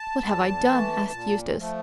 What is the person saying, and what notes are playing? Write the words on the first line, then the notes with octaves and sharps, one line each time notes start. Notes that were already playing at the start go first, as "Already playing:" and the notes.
"What have I done?" asked Eustace.
Already playing: A5
E2
E3 A3
A#2
F3 A3